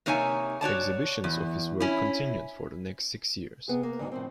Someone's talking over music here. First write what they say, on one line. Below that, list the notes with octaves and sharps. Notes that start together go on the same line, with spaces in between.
Exhibitions of his work continued for the next six years.
C3 A#3 D#4 C#5 E5 G#5
F#4 C#5 D5 A5
E2
C#4 E4
C3 B3 G#4
A#3
D2 G#2 D#3 F#3 G#3 D4
A2 F3 C4